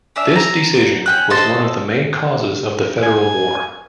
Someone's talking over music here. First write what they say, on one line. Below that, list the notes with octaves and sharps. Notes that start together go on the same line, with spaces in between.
This decision was one of the main causes of the Federal War.
C#4 D4 E5
A#5
C#4 G5 F#6
A4 C5 D#5 A5
G#5